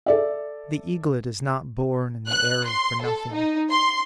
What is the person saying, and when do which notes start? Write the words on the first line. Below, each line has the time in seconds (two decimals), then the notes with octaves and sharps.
The eaglet is not born in the eyrie for nothing.
0.06 A4 D5 E5
2.28 F#6
2.66 C6
3.02 A4
3.33 D#4
3.70 C6